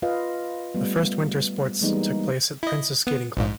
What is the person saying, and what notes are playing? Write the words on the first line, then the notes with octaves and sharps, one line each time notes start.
The first winter sports took place at Prince's Skating Club.
F4 B4 D#5 F5
G3 A3 B3
E3 G3 G#3 A#3 B3 D#4
E4 D#5
B3
A#1 G#2